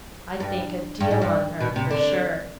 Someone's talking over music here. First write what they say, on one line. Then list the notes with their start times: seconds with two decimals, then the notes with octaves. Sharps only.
I think a deal on her, for sure.
0.40 G2
1.00 G2
1.11 G#2
1.22 G2
1.61 B2
1.76 C3
1.91 D3